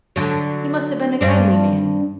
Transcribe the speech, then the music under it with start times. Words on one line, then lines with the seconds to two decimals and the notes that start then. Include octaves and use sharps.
"He must have been a kindly man!"
0.16 D3 F#3
1.21 G2 C4 D4